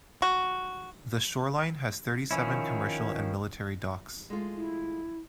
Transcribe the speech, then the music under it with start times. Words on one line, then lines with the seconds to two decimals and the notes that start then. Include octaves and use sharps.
The shoreline has thirty seven commercial and military docks.
0.22 F#4
2.31 D#3 F3 C#4 E4
4.30 G#3 A3 F4
4.56 E4